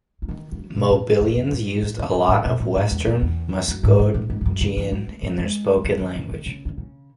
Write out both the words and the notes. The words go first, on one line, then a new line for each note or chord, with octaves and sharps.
Mobilians used a lot of Western Muskogean in their spoken language.
E3
D#3
E3
F#3
B2
A2
F#2
G#2
F#2
A2
A2
F#2
G#2
A2
B2
A2
G#2
E2
F#2
E2
F#2
G#2
G#2
A2
G#2
G#2
F#2
C#3
E3
F#3
A3
A3
G#3
E3
F#3
D#3
C#3
D#3
C#3
D#3
C#3